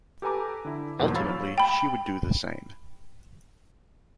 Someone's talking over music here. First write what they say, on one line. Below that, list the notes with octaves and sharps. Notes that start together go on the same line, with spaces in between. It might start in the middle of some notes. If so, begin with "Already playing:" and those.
Ultimately, she would do the same.
G4 A4 B4 G#5 A#5 D6
D3 E4
E2 G#2 B2 F3 F#3 A#3
C#5 F5 B5 E6 A6
G5 B5